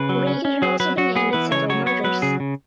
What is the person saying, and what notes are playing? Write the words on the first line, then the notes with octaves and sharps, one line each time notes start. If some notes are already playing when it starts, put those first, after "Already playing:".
Regan had also been named in several murders.
Already playing: C#3 B4
F#3
C#4
C#4
F#3 G#4
F#3 B4
F#3 F#4
B3 G#4
E3 B4
C#3 C#5
F#3 C#5
B3 C#5
F#3 B4
C#3 G#4
C#3